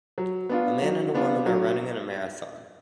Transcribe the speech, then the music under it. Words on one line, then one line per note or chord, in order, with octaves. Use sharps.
A man and a woman are running in a marathon.
F#3
B3 D4 F4
F#3
B3 D4 F4
F#3